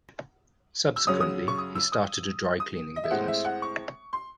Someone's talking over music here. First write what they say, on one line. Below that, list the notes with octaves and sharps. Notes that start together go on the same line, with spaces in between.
Subsequently, he started a dry-cleaning business.
E6
F#2 C#3 F#3 C#4 D#6
D#6
C#6
D#6
E6
D#6
D#6
D#5
E5
A2 G#3 C4 F#5
E5
F#5
C#6
C6